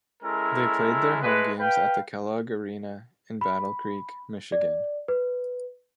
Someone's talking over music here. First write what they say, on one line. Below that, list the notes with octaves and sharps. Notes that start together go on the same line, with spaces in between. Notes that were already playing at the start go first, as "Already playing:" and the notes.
They played their home games at the Kellogg Arena in Battle Creek, Michigan.
G#3 C#4 E4 A4 A#4
G#3 A3 B4
B4 F5 G5
B5
D5
B4